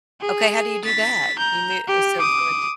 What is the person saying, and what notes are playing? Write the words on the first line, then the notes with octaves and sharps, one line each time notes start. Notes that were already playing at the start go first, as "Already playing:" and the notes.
Okay. How do you do that? You mute eh, so from a t
G#4
A6 B6
A#5 G6
G4
D6 D#6